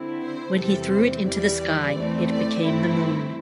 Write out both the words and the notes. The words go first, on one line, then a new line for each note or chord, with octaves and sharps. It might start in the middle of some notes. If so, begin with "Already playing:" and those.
When he threw it into the sky, it became the moon.
Already playing: D3 C4 E4
C5
E2 C3 E3 G3 C4 A4
C5
E2 E3 G3 D5
E2 E3 A3 C4
D5
G2 E3 A3 C4 E4